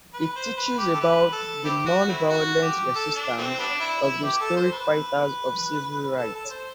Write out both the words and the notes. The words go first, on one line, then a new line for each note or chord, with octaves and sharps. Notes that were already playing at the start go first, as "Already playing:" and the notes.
He teaches about the non-violent resistance of the historic fighters of civil rights.
B4
C5
B4
G4
A4
E4 G4 B4
A4
C4 E4 G4
F#4
A3 C4 E4
F#4
G4
A4
D4
E3 A3 C4
G3 B3 D4
E4
E4
G4
A4
C5
B4
A4
A4
C5